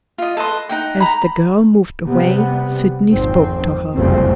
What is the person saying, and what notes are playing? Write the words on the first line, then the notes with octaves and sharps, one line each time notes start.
As the girl moved away, Sydney spoke to her.
F4 D#5
A4 B4 D#5 C6
D#4 F#5 G5
A#5 B5
C3 G3 B3
G#1 F2 C4
F#1 C2 F2 A2 C#3 C4